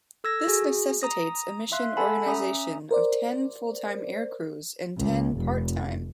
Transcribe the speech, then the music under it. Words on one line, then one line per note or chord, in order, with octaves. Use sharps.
This necessitates a mission organization of ten full-time aircrews and ten part-time.
A4 E6 G#6 A#6
F#4 G#4
A#5 D#6 A#6
E5 F5 C6 F#6
A4 F#5 G#5 A5 B5
C#4 E5 A#5 D#6
A#4 C5 D5
C#2
F1